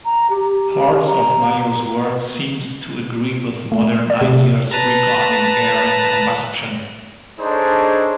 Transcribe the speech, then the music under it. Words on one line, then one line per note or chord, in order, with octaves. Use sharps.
Parts of Mayow's work seems to agree with modern ideas regarding air and combustion.
A#5
G4
A#5
A3
D5
C3
B4 A5 A#5
D4 D#4 G#4 A4 C5 C#5